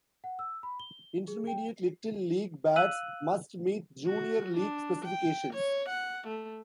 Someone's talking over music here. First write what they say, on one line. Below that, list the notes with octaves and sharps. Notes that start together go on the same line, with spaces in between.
Intermediate Little League bats must meet Junior League specifications.
F#5
E6
B5
G7
G#4
G5
F5 E6 F#6 D#7 F#7
F#4
D4
G5
C#5
F#5
A3